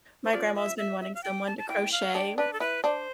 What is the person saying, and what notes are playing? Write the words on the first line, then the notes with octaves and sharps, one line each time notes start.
My grandma's been wanting someone to crochet,
C5
F3 D5
E5
E5
E5
F5
G5
A5
A5
E3 G5
F5
D4 G5
D4 B4
A4
E4 B4
D4 C5